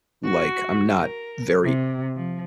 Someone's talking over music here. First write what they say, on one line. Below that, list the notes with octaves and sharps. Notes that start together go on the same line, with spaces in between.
like, I'm not very
F#4
A#4
C3
F3